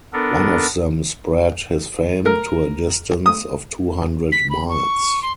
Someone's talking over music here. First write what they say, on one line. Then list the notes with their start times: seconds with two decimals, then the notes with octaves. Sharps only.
One of them spread his fame to a distance of two hundred miles.
0.13 B3 D4 A4 A#4
2.26 A#4
3.26 D#6
4.32 B6
4.50 B5
4.69 C#6
5.23 C6